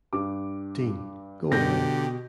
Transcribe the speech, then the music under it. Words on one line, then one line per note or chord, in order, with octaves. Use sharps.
Dean, go away.
G2 D6
B2 D3 G4 G6 A#6